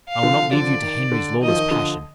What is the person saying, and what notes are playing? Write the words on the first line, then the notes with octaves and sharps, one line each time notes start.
"I will not leave you to Henry's lawless passion."
F5
D3 F3
D3 F3 D5
D#3
D3
D#3 D#5
F3
D#3
D3 F3